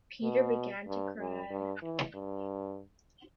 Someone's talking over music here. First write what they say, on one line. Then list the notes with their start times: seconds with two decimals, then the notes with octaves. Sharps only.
Peter began to cry.
0.23 B2
0.87 G2
1.19 F#2
1.51 G2
1.82 E3
2.14 G2